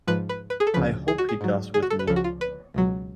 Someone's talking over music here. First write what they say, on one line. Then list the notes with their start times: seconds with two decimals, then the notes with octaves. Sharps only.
I hope he does with me.
0.07 G#2 F3 B4
0.29 B4
0.50 B4
0.60 G#4
0.67 A4
0.74 D2 C#3 F3 B4
1.08 G#4
1.18 F#4
1.29 G#4
1.41 G#2 F#3
1.74 G#4
1.82 F#4
1.90 A4
1.99 B4
2.07 C#2 C#3 F3 A4
2.16 F#4
2.24 F4
2.41 B4
2.74 C#2 B2 F#3